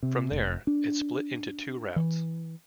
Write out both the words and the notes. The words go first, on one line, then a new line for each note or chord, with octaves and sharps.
From there, it split into two routes.
C3
F1
D4
E3